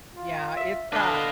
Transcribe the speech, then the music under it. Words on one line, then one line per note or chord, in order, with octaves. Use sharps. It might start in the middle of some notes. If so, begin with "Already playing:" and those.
Yeah, it's, uh
F4
E5
D3 D4 B4 D#5 F5